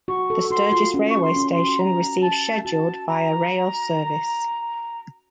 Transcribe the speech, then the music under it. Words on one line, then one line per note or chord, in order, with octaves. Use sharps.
The Sturgis railway station receives scheduled Via Rail service.
F#4 C#6
A4
F#4 C6
F4
C#4
C#6
C6
C#4
C6
F#4
A#5
A5
F#4 A5
A#5